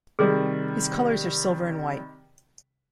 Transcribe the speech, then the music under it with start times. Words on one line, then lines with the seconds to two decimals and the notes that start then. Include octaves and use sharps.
His colors are silver and white.
0.19 C3 D#3 G3 G#4